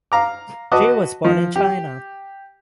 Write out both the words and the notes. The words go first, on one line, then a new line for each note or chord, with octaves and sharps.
Ge was born in China.
F5 A#5 D6
F#4 B4 D#5 A5 D6
F3
G4